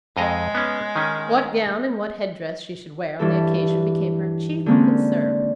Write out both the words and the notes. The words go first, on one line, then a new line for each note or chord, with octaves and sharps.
What gown and what head-dress she should wear on the occasion became her chief concern.
F2 G#3 D#5 A#5
B3 C#4
D#3 C#4
G2 E3 A4
D3 G#3 A#3 C4 C#4